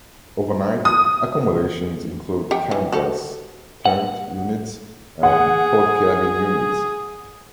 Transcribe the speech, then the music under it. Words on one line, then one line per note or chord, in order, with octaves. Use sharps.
Overnight accommodations include canvas tent units and pod cabin units.
D#6
G4 F#5 G5
E3
F#4 G4 A4
F#5
G#4 F#5